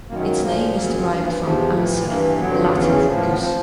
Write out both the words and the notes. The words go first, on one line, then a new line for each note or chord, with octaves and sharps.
Its name is derived from "anser" the Latin for "goose".
F#2 D#3 F#3 A#3
A3
A#3
B3
A#2 F3 A#3
F#2 C#3 F#3 A#3
B3
C4
G2 E3 A#3
A#3
E2 C3 F3 A3
A2 E3 A3
G2 E3 A#3
G2 D3 F#3 B3
C4
B3
E2 C#3 E3 B3
A3
A2 F3
A#3
B3
F3 C4